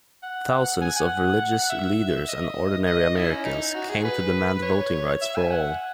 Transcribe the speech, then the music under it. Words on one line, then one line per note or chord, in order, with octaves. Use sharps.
Thousands of religious leaders and ordinary Americans came to demand voting rights for all.
F#5
G#5
F#5
E5
D#5
D#5
E4
C#4
D#4
F#4
G#4
B4
C#5
E5
G#5
F#5